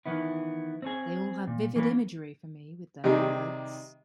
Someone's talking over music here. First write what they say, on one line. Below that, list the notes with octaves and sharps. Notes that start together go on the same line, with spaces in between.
They all have vivid imagery for me with their words.
D#3 E3 B3 E4
C4 C#4 G#4
A#2
E3 A#3 C#4 A#4 B4
C3 D#3 G3 D#4 G#4